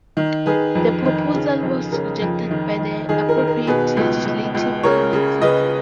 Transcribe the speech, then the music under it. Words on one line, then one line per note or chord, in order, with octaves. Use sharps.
The proposal was rejected by the appropriate legislative committee.
D#3
D#3 G#4 B4
F2
D#3
C#3
F2
C#3 A#4
F2
D#3
D#3
D#3 G#4
A#4
D#3
A#4
B2 G#4 B4
C#2
C#2
C#2
C#3 A#4 C#5
C#3
C#3 B4 D#5